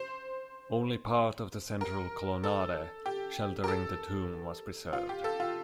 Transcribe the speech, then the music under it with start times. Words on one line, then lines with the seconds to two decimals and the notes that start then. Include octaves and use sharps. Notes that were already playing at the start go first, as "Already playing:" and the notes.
Only part of the central colonnade, sheltering the Tomb, was preserved.
Already playing: C5
1.81 A#4
2.44 A4
3.06 G4
3.64 A#4
3.68 A4
4.93 F4
5.09 G4
5.24 A4
5.40 F4